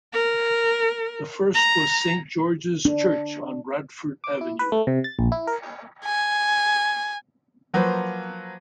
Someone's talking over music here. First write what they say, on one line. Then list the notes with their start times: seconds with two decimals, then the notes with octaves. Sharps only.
The first was Saint George's church, on Radford Avenue.
0.13 A#4
1.54 A#5
2.85 D4
4.24 D6
4.41 E4
4.59 B4
4.72 A3
4.87 C3
5.04 A6
5.19 A#1
5.32 E4
5.47 A#4
6.05 G#5
7.74 F3 F#3 A#3 B4 C5